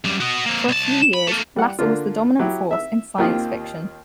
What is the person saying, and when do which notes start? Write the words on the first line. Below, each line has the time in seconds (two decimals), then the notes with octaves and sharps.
For a few years, Lasser was the dominant force in science fiction.
0.04 F#2 G3
0.20 F#4 D#5
0.46 A#3 C4
0.68 C2 A5
1.14 B5
1.28 A3 A#3
1.56 G3 F#5
1.79 D3 A#3 D4 F4
2.39 F#3 E4 G4
2.71 E5 E6
3.18 D#2 D#3 C4 F4 G4 D#6